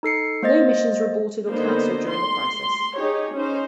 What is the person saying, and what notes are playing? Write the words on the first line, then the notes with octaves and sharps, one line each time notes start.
No missions were aborted or canceled during the crisis.
D#4 A4 C7 C#7
A#3 C5 D#5 A6
D3 A#3 B3 D#4 C5
C6
D#4 G4 G#4 C#5
C#4 D#4 C5